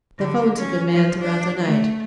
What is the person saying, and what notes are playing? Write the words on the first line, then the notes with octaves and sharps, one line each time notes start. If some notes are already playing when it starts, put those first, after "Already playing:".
The phones had been manned throughout the night.
D3
C#4
F3
D4
A3